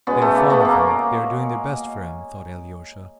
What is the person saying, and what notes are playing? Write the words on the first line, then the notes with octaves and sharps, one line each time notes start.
"They are fond of him, they are doing their best for him," thought Alyosha.
B2 G#3 B3 C#4
A3
A#3
A3 B3
A#3